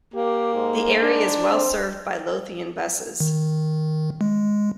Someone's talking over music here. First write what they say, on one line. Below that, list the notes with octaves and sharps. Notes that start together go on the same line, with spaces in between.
The area is well served by Lothian Buses.
A#3 G4
G#2
D4
C4
D#3
G#3